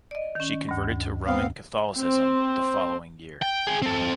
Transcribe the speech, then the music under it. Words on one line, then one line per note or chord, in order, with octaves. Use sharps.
She converted to Roman Catholicism the following year.
D5 D#5
D#3 C#4
D2 G2
B3 C4 F5
C4
G5
G#4 G5
C4 A4